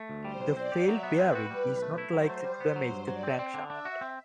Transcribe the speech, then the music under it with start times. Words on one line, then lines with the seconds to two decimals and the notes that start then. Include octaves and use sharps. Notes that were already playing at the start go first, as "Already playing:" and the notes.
The failed bearing is not likely to damage the crankshaft.
Already playing: A3
0.09 D2
0.24 G3 C5
0.40 B1
0.56 C4 D5
0.72 G4
0.87 F#3 E5
1.03 B3
1.19 C4 B4
1.35 F#4
1.50 G3 B4
1.66 B1
1.82 A3
1.98 E4
2.13 F#3 C5
2.29 A3
2.44 G3
2.60 B3
2.76 F#3 C5
2.91 G2
3.07 F#3 D5
3.23 C4
3.39 C4
3.54 D3
3.70 D4 E5
3.85 F#4
4.01 C4